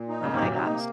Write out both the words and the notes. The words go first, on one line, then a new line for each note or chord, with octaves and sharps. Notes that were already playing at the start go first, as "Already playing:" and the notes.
Oh, my gosh.
Already playing: A#2
D#4
C#3 A#3
C3
A#2 F#3
C3 D#4
A#3